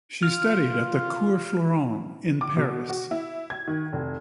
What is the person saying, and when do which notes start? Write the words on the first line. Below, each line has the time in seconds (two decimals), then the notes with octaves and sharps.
She studied at the Cours Florent in Paris.
0.23 F4 F6
2.41 D6
2.56 B2
2.89 F#4
3.11 E4
3.50 G#6
3.68 D#3
3.93 F1